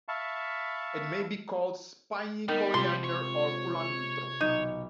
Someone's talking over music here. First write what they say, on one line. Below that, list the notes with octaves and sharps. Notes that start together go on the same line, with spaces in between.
It may be called spiny coriander or culantro.
E5 F5 A5 B5 C#6
D#3 G3 B3
C3 G#3 F4 C6
C#5
B1 D#4 D6 D#7